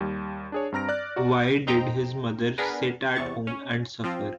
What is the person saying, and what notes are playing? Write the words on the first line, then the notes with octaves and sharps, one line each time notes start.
Why did his mother sit at home and suffer?
D#2 G3
D4 G#4 C#5
G2 C4 A#5 F6 A#6 D7
D5 F#6
F#4 D5 A#5
F2 C4 D#4 C5 G5 A#5
B3 D4 G#4 A#4 B4
E2 C3 C#6 A6
C#4
F3 C4 F4